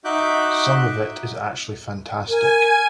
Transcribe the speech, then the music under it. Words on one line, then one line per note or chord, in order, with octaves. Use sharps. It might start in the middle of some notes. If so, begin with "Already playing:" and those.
Some of it is actually fantastic.
D#4 F#4 E5 D6 F#6 G6
A#4 G#5